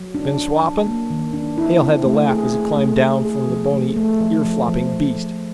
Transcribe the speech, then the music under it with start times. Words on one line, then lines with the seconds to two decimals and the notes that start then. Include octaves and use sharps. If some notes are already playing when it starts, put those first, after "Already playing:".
"Been swappin'?" Hale had to laugh as he climbed down from the bony ear-flopping beast.
Already playing: F#3
0.14 D4
0.38 D4
0.62 F#3
0.86 A#3
1.10 D#3
1.33 D4
1.58 E4
1.82 C4
2.05 A3
2.29 G#4
2.53 G#4
2.76 A3
3.01 G#4
3.25 G#4
3.49 F3
3.73 A3
3.96 A3
4.20 F3
4.45 F3
4.68 F3
4.92 F3
5.16 F3